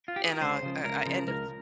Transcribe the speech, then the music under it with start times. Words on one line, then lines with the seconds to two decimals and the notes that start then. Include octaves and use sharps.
and, uh, I I ended
0.08 F4
0.16 G4
0.24 G#4
0.33 A#4
0.41 C#2 C5
0.63 C#3 F3
0.84 C#2 A#4
1.06 C#3 F3
1.27 C#2 A#4